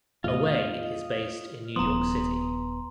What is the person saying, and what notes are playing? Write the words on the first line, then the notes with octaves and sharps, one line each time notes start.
Away is based in New York City.
E2 A2 F4 D#5
D#1 F3 B3 A#5 C6 D#6